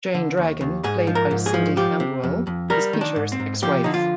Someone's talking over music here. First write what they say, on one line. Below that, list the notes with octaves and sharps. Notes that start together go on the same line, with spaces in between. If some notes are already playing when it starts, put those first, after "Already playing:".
Jane Dragon, played by Cindy Ambuehl, is Peter's ex-wife.
D3
D#2
D#2
G#2 G#4
F3
A#4
G#2
G#4
F3
F3 G4
C3
F2
F2
G3 A#4
D#3
D4
G#2
C4
G#2
F3 G4
D3 D#4
F4